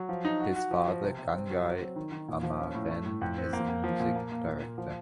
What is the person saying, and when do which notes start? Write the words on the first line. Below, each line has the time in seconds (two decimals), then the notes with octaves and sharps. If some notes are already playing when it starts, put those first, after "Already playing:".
His father Gangai Amaren is a music director.
Already playing: F#3
0.09 F3
0.25 D#4
0.40 F#4
0.56 F#4
0.71 F3
0.87 F3
1.03 C3
1.18 C3
1.34 C4
1.50 F#3
1.65 F#3
1.81 C4
1.96 D#3
2.12 D#3
2.28 A#2
2.43 F3
2.59 C#4
2.75 A2
2.90 A3
3.06 A2
3.21 F2
3.38 C4
3.53 A#3
3.68 A#3
3.84 F3
4.00 A#2
4.15 A#3
4.32 A#3
4.47 A#2
4.62 A#2
4.78 F3